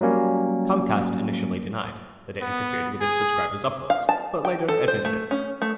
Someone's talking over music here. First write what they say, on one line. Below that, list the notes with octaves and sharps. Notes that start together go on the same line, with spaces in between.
Comcast initially denied that it interfered with its subscribers' uploads, but later admitted it.
F#3 G3 A#3 C#4
B3
G#4
F5
A5
G5
A4
C5
A3
C#4
A3